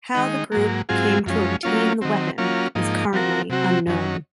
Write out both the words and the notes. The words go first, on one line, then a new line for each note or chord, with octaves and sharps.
How the group came to obtain the weapon is currently unknown.
D#3 G#3 D#4
G#2 F#3 A#3
G#2 F#3 C4 F4 G#4
F#2 F3 G#3 C#4
F#3 A#3 C#4 F4
D#3 F#3 C4
F#3 A#3 C#4 F4
G#2 F3 A#3 D#4
F3 C4 F#4 A#4
C3 F#3 C4 F#4
F#2 D#3 F#3 C#4